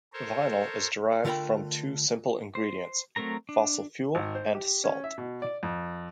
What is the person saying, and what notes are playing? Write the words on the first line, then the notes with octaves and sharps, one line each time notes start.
Vinyl is derived from two simple ingredients: fossil fuel and salt.
A4 A#4 C5 C#5
D3 A3 F4 A#4 G5 B5
C5
F#3 A3 C4 A#4 A#5
D4
G#1
C5
G4
C#4
E5
B2
D5
F2